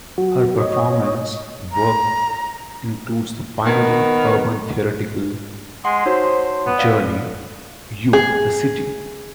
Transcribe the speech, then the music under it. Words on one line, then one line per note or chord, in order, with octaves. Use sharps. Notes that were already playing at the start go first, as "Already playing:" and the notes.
Her performance work includes the pioneering urban theatrical journey, "You-The City".
F#3 F#4
C#5 D#5
A#5
D#3 B3
G#3 F#5 C6
D#4 F#4 C5 C#5
B3
D5 F5
G#4